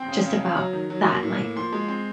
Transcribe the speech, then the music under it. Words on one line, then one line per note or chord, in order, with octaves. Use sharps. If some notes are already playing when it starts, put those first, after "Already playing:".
just about that, like
Already playing: C4 G5
C#3
C#3
C#3
F#3 A#5
D#3
F#3
A#3
A2
A#3
F3 C6
G#3
C4